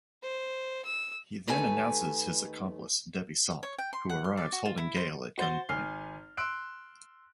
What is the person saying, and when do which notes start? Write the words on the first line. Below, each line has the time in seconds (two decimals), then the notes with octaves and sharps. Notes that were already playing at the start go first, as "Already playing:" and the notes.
He then announces his accomplice, Debbie Salt, who arrives holding Gale at gunpoint.
0.23 C5
0.85 E6
1.47 D#2 D#3 A3 B4 G#5
3.63 C#5
3.78 G5
3.93 C6
4.09 F#5
4.24 C6
4.37 D5
4.52 F#4
4.65 F4
4.78 E4
4.97 C5
5.38 F#4 C5 A6 G7
5.69 G#1 G#5 F6 C7
6.37 C6 E6 F#6 D7